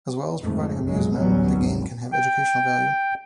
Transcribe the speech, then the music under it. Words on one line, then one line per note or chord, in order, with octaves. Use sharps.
As well as providing amusement, the game can have educational value.
F2 G#2 A3
F1 A#1 F#2 F#3 G#3
A1 D2 F#3 G3 B3 C#4
G#1
G5